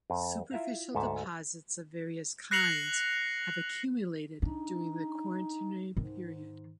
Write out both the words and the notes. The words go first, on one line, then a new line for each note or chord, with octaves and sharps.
Superficial deposits of various kinds have accumulated during the Quaternary period.
F2
E4 F4 E5 F5 A#5
D2 G#2 A4 E5 A5
F#6 A#6 C7 C#7 F7 F#7
D4 D#4
G#2 D#3